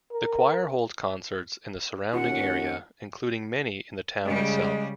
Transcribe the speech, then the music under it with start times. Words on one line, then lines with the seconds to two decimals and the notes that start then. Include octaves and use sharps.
The choir holds concerts in the surrounding area, including many in the town itself.
0.12 A#4
2.13 D#2 C#4 F4 F#5
4.26 C#3 G3 G#3